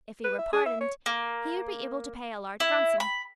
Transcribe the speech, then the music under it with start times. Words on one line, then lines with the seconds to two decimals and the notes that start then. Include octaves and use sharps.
If he were pardoned, he would be able to pay a large ransom.
0.24 B4
0.38 E5
0.53 G#4
0.66 E5
0.81 C#5
1.06 A#3
2.60 E4
3.00 B5